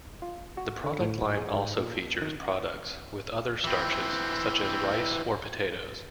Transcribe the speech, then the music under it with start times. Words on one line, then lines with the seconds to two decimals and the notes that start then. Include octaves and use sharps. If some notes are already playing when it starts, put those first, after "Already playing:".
The product line also features products with other starches, such as rice or potatoes.
0.22 F4
0.57 F#4
0.84 D3
1.00 A2
1.37 G#4
1.53 G#2
1.77 A#2
2.22 D#3
3.64 E3 C4